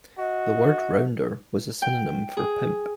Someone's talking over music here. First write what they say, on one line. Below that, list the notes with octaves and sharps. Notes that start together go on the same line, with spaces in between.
The word "rounder" was a synonym for "pimp".
F#4 D#5
G5
G#4